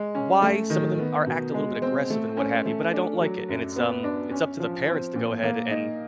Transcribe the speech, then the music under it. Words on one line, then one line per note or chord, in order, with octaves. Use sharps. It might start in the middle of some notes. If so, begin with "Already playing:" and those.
why some of them are act a little bit aggressive and what have you, but I don't like it, and it's, um, it's up to the parents to go ahead and
Already playing: G#3
C#4
A3
D#3
B3
B2
G#3
C4
A3
C#4
A3
D4
F#3
F#2
B3
D4
C#4
F3
C4
A#2
A#3
D#4